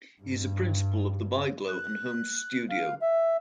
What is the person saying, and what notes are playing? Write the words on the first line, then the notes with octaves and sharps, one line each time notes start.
He is a principal of the Bigelow and Holmes studio.
G2
F#6
F5
E5